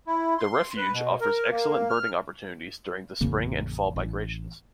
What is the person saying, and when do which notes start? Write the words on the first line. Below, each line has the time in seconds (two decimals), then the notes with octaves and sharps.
The refuge offers excellent birding opportunities during the spring and fall migrations.
0.07 E4
0.38 C6
0.77 B4
0.92 B2
1.21 A#4
1.51 A#3
1.90 F6
3.21 A1 F2 C#3 A#3
3.96 A1